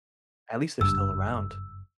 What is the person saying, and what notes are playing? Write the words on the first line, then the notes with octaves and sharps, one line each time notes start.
at least they're still around.
F#1 G2 E6